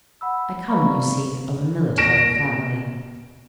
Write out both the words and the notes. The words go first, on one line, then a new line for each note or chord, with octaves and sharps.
I come, you see, of a military family.'
F#5 B5 E6
B4 D5 F5 A#5 B5 C#6
A#6 D7 E7